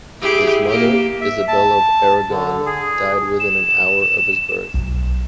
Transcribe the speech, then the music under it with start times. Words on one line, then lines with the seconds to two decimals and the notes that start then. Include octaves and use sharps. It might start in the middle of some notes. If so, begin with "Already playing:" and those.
His mother, Isabella of Aragon, died within an hour of his birth.
0.21 E4 G4 G#4
0.68 A#3 G4
1.21 E5
1.48 A5
2.30 D3
2.66 G#4
3.40 E7
4.74 B1